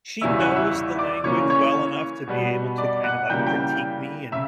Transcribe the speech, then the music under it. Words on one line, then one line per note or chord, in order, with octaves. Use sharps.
she knows the language well enough to be able to kind of, like, critique me and
E2 C#3 E3 G3 C#4 E5 E6
F#5 F#6
E5 E6
D5 D6
C#3 E3 A#3 C#4 C#5 C#6
C#5 C#6
B2 G3 B3
D5 D6
F#5 F#6
C#3 E3 G3 A#3 G5 G6
G5 G6
C#3 E5 E6